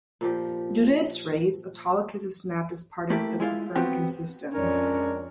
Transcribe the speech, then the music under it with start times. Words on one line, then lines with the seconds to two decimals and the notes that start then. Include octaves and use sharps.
Due to its rays, Autolycus is mapped as part of the Copernican System.
0.21 A#2 F3 G4
3.10 A3 A#3 E4 G4
3.40 G#3 E4 F4 F5
3.75 B3 C4 F#4 G4 G5
4.53 F2 G#3 C#4 D4 A#4 C#5 D5